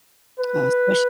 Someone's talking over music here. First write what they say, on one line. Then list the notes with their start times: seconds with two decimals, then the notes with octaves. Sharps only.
uh, especi
0.39 B4